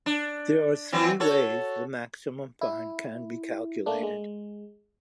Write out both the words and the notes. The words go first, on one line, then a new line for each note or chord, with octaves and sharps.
There are three ways the maximum fine can be calculated.
D4
E3 F#3 C4
F#4 A4 C#5
E4
A3 A#3 D4
G#3